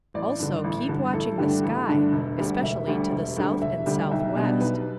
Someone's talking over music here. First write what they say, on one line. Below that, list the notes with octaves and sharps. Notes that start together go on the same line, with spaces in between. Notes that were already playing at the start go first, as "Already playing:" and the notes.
Also, keep watching the sky, especially to the south and southwest.
A1 D5
G2 D3
A1
G2 D3
A1 A4
G2 D3 A3 D4 G4
A1 A4
G2 D3 A3 D4
E1
D2 D3 G3
E1 E5
D2 D3 G3
E1
D2 D3 G3
E1 E5
D2 D3 G3
G5
B1 E5
B2 G3 D4
B1 B4